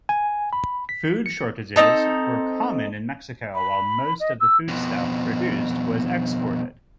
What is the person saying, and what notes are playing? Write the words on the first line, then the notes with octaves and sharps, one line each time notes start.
Food shortages were common in Mexico while most of the foodstuff produced was exported.
G#5
B5
B6
C#7
C4 C#4 D#4 A4
B5
D#5
E6
F2 B2